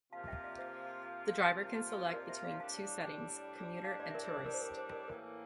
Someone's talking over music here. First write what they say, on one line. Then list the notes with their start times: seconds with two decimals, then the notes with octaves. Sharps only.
The driver can select between two settings: "commuter" and "tourist".
0.13 C3 F3 A#3 F4 F5 A5
0.28 E5 G5
0.44 D5 F5
0.58 C5 E5
1.98 C5
2.13 A#4 D5
2.29 C5 E5
2.44 D5 F5
2.60 A2 G3 D4 F5 A5
3.84 F5 A5
3.99 D5 F5
4.10 E5
4.15 A#4 D5
4.31 C5
4.45 A#4 D5
4.54 C5
4.62 A#4
4.77 C5
4.92 A#4 D5
5.08 A2 E3 A#3 A#4